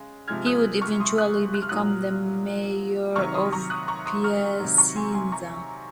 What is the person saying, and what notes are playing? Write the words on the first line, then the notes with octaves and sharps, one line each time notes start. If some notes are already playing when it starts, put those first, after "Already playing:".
He would eventually become the mayor of Piacenza.
Already playing: C#3 G#3
C3 F3 G#3 F6 G#6
D#6 F#6
C#6 F6
C6 D#6
D#6 F#6
F#6
F6
A#2 F#3 D#6 F#6
C3 D#3 F#3 C#6 F6
C6 D#6
A#5 C#6
D#6 F#6
A#5 C#6
C6 D#6
C#6 F6
C3 D#3 F#3
A#5 C#6
G#5 C6
G#5 C6
A#5 C#6